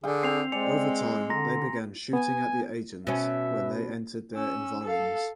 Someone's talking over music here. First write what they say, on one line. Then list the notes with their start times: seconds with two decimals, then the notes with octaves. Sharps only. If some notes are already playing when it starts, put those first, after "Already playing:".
Over time they began shooting at the agents when they entered their environs.
0.04 D3 G#4 F5 G5
0.23 C4 C7 F7
0.52 G#3 C4 D5 G#5 C#7 F7
1.30 D3 A#5 C6 A#6
2.13 B3 G#5
3.07 B2 C#4 E5
4.34 C#4 E6
4.84 A4 F5